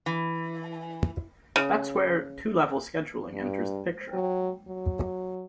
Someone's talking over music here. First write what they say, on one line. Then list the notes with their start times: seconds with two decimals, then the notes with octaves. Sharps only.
That is where two-level scheduling enters the picture.
0.06 E3
1.56 C#3
3.33 G2
4.13 F#3
4.68 F#3